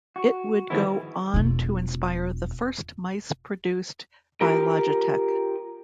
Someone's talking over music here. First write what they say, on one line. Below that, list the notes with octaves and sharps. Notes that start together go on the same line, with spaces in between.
It would go on to inspire the first mice produced by Logitech.
F#4
G#2 D#3 F3 G#3 B3 E4
E1 F4
F4 G4 A#4